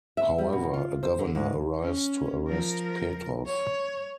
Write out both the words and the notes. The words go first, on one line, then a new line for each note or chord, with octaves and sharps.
However, a governor arrives to arrest Petrov.
E5
G3
B2
F4
C5
D3
G#2
C#4
F3 A#4
C#5